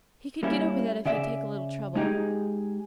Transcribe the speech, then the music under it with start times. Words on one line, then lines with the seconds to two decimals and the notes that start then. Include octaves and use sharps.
He could get over that if he'd take a little trouble.
0.43 G3 A#3 C#4 E4
1.06 C#3 D5 E5
1.95 G#3 D#4 G4 G#4